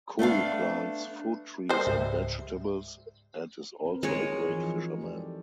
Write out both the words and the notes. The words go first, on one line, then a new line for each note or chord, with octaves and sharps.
Kui plants food trees and vegetables and is also a great fisherman.
A3 B3 D4 F5
G3 A#4 C5
C#2 G#2 E5
C4 A#4 B4
G#3 D#4 F4 F#4 C#5
E3 F3 D#4
G4 A4 D5